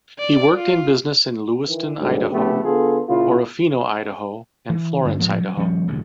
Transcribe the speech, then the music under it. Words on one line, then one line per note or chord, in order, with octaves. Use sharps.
He worked in business in Lewiston, Idaho; Orofino, Idaho; and Florence, Idaho.
D5
F4
D#3 E3
G#1 D2 G#2 F#3 G3
A#1 C#3 A3 B3 G4
D3 B3 F4 G#4 A4
A#2 C#3 E4 F4
E3
G2 D3
A2 F3 G#3 A#3
F#3
D#1 F3 G3 C#4
E1 A1 D3 F#3